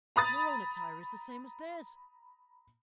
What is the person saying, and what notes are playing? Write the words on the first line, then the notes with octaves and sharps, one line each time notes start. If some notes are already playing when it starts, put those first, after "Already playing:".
Your own attire is the same as theirs.
A#5 B5 D#6 A6